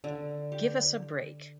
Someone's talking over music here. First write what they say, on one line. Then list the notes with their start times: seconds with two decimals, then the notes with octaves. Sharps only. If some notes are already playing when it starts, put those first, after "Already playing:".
Give us a break.
0.04 D3
0.52 G4